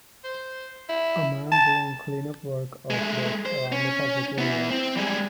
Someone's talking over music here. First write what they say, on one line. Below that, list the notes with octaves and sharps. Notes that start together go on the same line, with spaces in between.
A man doing clean up work of brush around a public area.
C5
E4
A5
G#3 A3
C5
C#4
B3 E4
C4
G3 G#3